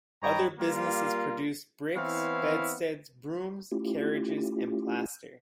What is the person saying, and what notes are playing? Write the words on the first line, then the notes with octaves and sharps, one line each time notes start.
Other businesses produced bricks, bedsteads, brooms, carriages and plaster.
G2 C#5 D#5 G5 A#5 B5
G3 A#3 F4
E3 B3 C4 E4 C#5 F5
A3 C#4 E4 F4 G4